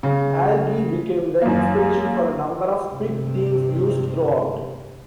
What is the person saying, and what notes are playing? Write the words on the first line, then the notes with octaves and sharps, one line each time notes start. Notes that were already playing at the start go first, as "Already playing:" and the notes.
"Algie" became the inspiration for a number of pig themes used throughout.
C#3
F#2 A#3
G2 C3